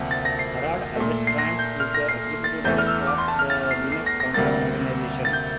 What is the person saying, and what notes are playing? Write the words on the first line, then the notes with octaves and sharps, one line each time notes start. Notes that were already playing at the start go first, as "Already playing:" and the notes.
Harald Alvestrand is the Executive Director of the "Linux Counter Organization".
Already playing: D2 C3 F3 A#3
A6
A#6
C7
A#2 A3
C7
A#6
G6
F6
A#6
C7
A6
E2 E3 A3 G6
F6
E6
D6
C6
A5
F6
A6
C7
C7
A#6
A#6
D2 C3 G3 A#3 A6
A6
G6